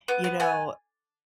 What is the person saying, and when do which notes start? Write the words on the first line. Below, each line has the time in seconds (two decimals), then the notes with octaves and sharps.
you know,
0.08 B3
0.24 B3
0.40 B3 G#5